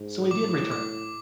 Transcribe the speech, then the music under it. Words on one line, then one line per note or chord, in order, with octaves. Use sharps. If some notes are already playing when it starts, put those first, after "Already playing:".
So he did return!
Already playing: G#2
A2 D6
D6